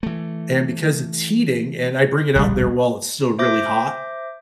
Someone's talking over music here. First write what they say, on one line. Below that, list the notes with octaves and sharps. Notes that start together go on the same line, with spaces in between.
And because it's heating, and I bring it out there while it's still really hot,
E3 A3
D1 A#1 G3
C5 E5 D6 G6 A#6